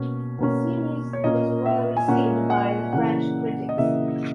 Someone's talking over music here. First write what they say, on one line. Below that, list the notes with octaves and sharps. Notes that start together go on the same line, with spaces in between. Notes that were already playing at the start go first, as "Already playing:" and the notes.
The series was well received by the French critics.
Already playing: B2 A#3 C#4
B2 A#3 C#4
C#5
A#2 A#3 C#4 D#5
E5
G#5
A#2 A#3 C#4 F#5
F#5
C#3 E3 A#3 F#5
D#5
C#3 E3 A#3 E5